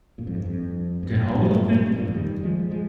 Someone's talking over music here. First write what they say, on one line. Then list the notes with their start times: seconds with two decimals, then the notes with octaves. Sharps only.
The whole of it?.
0.18 G2 A#2
0.27 F2 G#2
0.37 G2
0.45 F2
1.03 G2
1.30 G2 A#2
1.87 G#2 C3
1.95 G2 A#2
2.05 F2 G#2
2.14 D#3 G3
2.43 F3 G#3
2.71 F3 G#3